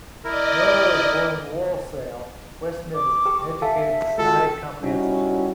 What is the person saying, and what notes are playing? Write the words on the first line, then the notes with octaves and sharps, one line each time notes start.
Naylor was born in Walsall, West Midlands, and educated at Sneyd Comprehensive School.
E4 A#4 D5 D#5
D5 D6
G4 B4 G5
A4 E5 F5 G#5 A5
G#3 F4 F#4 A4
G3 C#4 D#4 E4 F#4